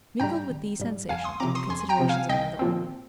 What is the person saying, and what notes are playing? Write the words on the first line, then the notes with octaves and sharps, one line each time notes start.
Mingled with these sensations were considerations of another order.
G#2 G3 G5 A#5
G#1
G#2 G3
F2 F5 G#5
C6 D#6
C3 F3 C4 A#5 D6
C6 D#6
F2 G#5 C6
G5 A#5
C3 F3 C4
F5 G#5
C2 D#5 G5
A#2 F3 C4